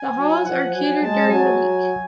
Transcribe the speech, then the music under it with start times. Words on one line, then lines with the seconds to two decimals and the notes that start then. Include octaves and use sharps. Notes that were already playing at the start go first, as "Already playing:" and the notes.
The halls are catered during the week.
Already playing: G#5
0.16 F#3
0.44 F3 F#5
0.74 F#3 G#5
1.01 G#3 A5
1.31 F#3 G#5